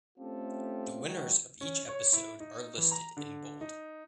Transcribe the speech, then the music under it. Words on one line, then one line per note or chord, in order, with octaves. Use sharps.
The winners of each episode are listed in bold.
A3 C4 C#4 F4 G4 A4
D#3 F#3 G#3 D#4 F#4 G5
C#4
C#5
E4
D#4
E3
A#5
D3
D#4